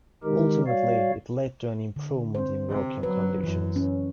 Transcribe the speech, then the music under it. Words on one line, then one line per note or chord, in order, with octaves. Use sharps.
Ultimately it led to an improvement in working conditions.
D#3 G#3 D#4 G4 A#4
G3 F#4 C#5 D5 F5
D3
C4 C5
C3
F#3 B4
F#2 E3
C#4